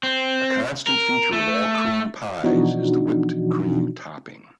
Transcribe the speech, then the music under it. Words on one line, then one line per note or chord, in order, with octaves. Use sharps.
A constant feature of all cream pies is the whipped cream topping.
C4
A#4
A3
B2 E3 F3 D4 D#4 F#4